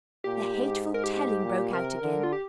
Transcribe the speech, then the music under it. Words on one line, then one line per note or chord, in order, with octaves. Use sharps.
The hateful telling broke out again.
A#2 G4
G#2
A#4
G4
G4
A#2
C3 A#4
D3
F4
G4